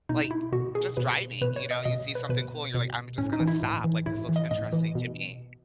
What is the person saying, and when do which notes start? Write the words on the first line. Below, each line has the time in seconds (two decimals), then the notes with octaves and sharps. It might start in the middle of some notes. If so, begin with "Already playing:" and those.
like, just driving, you know, you see something cool and you're like, "I'm just gonna stop, like, this looks interesting to me."
0.09 B2 D#4
0.31 E4
0.52 B2 F#4
0.75 G#4
0.97 B2 B4
1.41 B2 B4
1.56 C#5
1.71 D#5
1.85 B2 D#5
2.15 B4
2.29 B2 B4
2.74 B2
3.18 A2 C#4
3.33 D#4
3.40 E3
3.48 E4
3.62 A2
3.84 E3
4.06 A2 E4
4.29 E3
4.36 D#5
4.51 A2 D#5
4.72 E3
4.95 B2